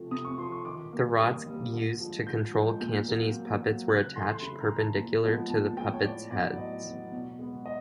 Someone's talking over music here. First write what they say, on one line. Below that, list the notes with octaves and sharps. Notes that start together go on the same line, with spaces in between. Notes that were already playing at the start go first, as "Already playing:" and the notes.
The rods used to control Cantonese puppets were attached perpendicular to the puppets' heads.
Already playing: C3 F3 A3
C3 D#6
C#6
F3 A3 C6
C#6
D#3 D6
G3 A#3
D#3 D#6
G3 A#3
D3
F3 G#3
D3 G6
F3 G#3
A#2 G6
F#3 A#3
A#2
F#3 A#3
C#3 F#6
E3 A3 C6
C6
C#3 B5
A#5
E3 A3
A5
A#2
F3 G#3 B3
A#2 A5
F3 G#3 B3 G5
C#5
A2 D5
F#3 B3 D5
A2 D#5
F#3 B3
B2
G#3 B3
D#5